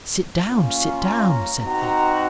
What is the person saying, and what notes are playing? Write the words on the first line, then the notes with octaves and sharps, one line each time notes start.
"Sit down! sit down!" said they.
A#3 C#4 F4
A#5
C4 D#4 F#4 A#5